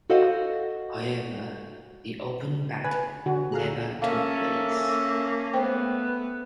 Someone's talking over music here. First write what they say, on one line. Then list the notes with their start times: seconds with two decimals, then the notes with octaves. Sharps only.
However, the open battle never took place.
0.10 F#4 A4 C5 D#5 F5 F#5
2.84 B4 G#5
3.26 D3 F#4
3.52 G#4 A4 F5 A#5 F#6
3.64 D2
4.02 A#3 C#4 A4 A#4 E5 F5 A5
4.77 C#4
5.54 A3 B3 C5 G5
5.99 B4